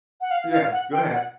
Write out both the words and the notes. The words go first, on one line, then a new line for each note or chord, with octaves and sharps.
Yeah, go ahead.
F#5
F5
F5
F#5
G5
F#5